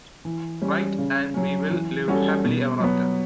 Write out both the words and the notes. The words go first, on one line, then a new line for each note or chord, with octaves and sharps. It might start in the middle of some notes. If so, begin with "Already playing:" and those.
Right, and we will live happily ever after.
E3
G3 C#4
C#3
F#3 C#4
E3
G3 C#4 F#4 A4
B2
F#3 B3